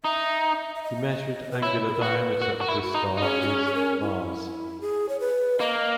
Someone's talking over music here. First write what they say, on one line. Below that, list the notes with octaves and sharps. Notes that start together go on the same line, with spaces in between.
The measured angular diameter of this star is mas.
D#4 E5
E5
D#5
B4
E4 C#5
G#4
A#4
F#4 B4
F#4 A#4
F#4
E4
F#4
D#4
D#4
C#4 G#4
F#4
G#4
G#4
A#4
E4
G#4
C#5
B4
A#3 D#5